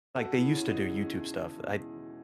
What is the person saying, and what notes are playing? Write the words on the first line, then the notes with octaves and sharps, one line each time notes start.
like, they used to do YouTube stuff, I'm
E1 F#4 A4
E3 E4 G#4
E2 C#4 E4
G#4
C#3 D#4 F#4
C#3
E2
E1
C#3
E1
E3
E3